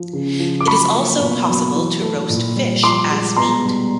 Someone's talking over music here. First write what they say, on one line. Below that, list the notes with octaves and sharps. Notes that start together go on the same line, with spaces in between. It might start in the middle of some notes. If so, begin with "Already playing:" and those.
It is also possible to roast fish as meat.
Already playing: F3
C#3
F3
D6
F#3 B5 C#6
A#3
B2
F#3
E3
A3
A#2
G3
F3 C6 D6
G#3
B2 A#5 C6
G3